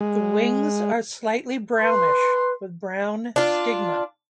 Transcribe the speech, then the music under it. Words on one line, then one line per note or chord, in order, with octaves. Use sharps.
The wings are slightly brownish with brown stigma.
G#3
B4 C6
D4 F4